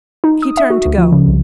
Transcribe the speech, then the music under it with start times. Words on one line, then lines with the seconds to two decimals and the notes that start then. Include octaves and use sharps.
He turned to go.
0.24 D#4
0.42 D#6
0.57 E5
0.70 F#4
0.86 D2
0.98 F3
1.12 C#3
1.28 C2